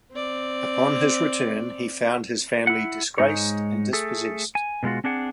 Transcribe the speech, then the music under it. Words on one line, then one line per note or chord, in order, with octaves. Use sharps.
Upon his return, he found his family disgraced and dispossessed.
C4 D5
E4 F#5
G#2 G#3 D#4 C#5
A3 G#4 A4
G#5
B2 F#3 G#3 F4 F#4
C4 D4 G#4 F#5